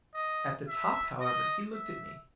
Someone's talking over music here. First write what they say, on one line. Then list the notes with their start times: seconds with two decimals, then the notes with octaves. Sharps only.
At the top, however, he looked at me.
0.14 D#5
0.68 E5
1.21 D#5
1.74 E5